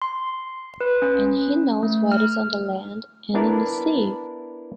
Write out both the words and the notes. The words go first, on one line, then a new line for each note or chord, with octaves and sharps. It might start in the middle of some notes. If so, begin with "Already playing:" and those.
And He knows what is on the land and in the sea.
C6
B4
C#4
A3
F6
B3 D4 E4 A#4 D5